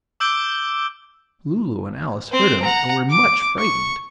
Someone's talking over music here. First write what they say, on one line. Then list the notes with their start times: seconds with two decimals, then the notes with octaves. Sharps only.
Lulu and Alice heard him, and were much frightened.
0.20 D6 E6 G6 D7 G7
2.32 C4 C5
2.62 F#5 A#5
3.10 D6
3.59 C#6